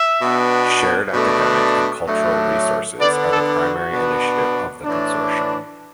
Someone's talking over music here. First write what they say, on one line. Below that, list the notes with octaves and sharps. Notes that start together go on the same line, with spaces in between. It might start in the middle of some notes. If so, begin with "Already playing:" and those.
Shared academic and cultural resources are the primary initiative of the consortium.
Already playing: E5
B2 B3 D4
B2 A3 D4
A2 F#3 A3 D4
D3 B3 D4 D5
A4
F#4
B2 B3 D4
A2 E3 D4